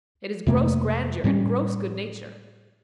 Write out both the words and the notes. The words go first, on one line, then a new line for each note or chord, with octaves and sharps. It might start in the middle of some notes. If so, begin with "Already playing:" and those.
It is gross grandeur and gross good-nature.
F2 C3 A3 A#3
A2 G3 A#3 C#4